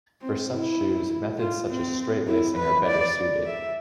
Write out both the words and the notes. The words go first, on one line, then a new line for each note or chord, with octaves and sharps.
For such shoes, methods such as straight lacing are better suited.
C4
E4
F4
C4
E4
B4
D5
E5